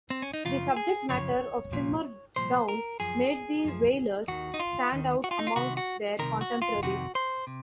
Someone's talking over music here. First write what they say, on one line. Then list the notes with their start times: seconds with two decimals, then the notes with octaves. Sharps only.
The subject matter of "Simmer Down" made The Wailers stand out amongst their contemporaries.
0.10 C4
0.22 C#4
0.34 D#4
0.45 F#2 C#3 F3 F4
0.76 G#4
1.09 F#2 C#3 F3 C#5
1.72 C2 A#2 F3
2.36 C2 A#2 F3 C5
2.68 A#4
3.00 F#2 F3 G#4
3.64 F#2 F3
4.28 D#2 D#3 F#4
4.54 D#4
4.59 F4
4.92 D#2 D#3
5.24 F#4
5.31 F4
5.39 D#4
5.47 F4
5.56 C2 C3 D#3 F#4
5.77 F#4
6.19 C2 C3 D#3 A#4
6.41 F#4
6.62 F4
6.83 F2 C3 D#3 F#4
7.15 C5
7.47 C3